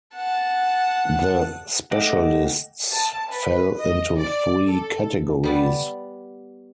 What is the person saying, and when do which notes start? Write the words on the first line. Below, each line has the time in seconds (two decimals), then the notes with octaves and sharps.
The specialists fell into three categories.
0.15 F#5 A5
1.91 A3 D#5 F#5 G5 D6
2.91 A5
3.33 B4
3.79 D#5
4.17 D5
4.66 A4
5.44 G3 B3 D5